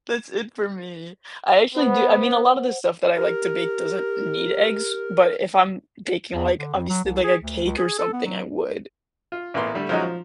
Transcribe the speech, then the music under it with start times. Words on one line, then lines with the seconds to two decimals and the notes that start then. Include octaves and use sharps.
That's it for me. I actually do. I mean, a lot of the stuff that I like to bake doesn't need eggs. But if I'm baking, like, obviously, like a cake or something, I would.
1.75 B3 C5 F#5
3.16 G4 A#4
6.34 E2
6.59 D3
6.75 F2
6.89 F#3
7.04 C2
7.24 G#4
7.42 D2
7.65 C#2
7.78 G#4
7.99 A4
8.13 B3
8.25 F#3
9.32 F4
9.54 A1 A#3 B3 C6
9.74 D3 G3 A3
9.89 F3 F#3 G#3 C#4 D#4 F#4
10.03 F3